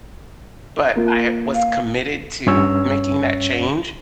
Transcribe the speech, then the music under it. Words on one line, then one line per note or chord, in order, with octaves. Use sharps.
but I was committed to making that change,
A#3 F4
F5
G2 C#4 C#5 E6